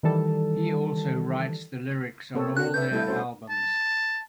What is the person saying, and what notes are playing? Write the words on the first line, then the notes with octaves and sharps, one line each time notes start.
He also writes the lyrics on all their albums.
D#3 E3 G3 A4 A5
C3 A#3 C4 A4 C#5
D4 F#4 F#6
A4 B4 D5 E5 G6
G3 A3 E4 A4
C#4 F#4 C5
A5